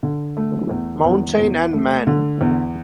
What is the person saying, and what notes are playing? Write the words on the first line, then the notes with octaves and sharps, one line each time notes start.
Mountain and man.
D3
A3
E2
E2
E2
A3
D3
E2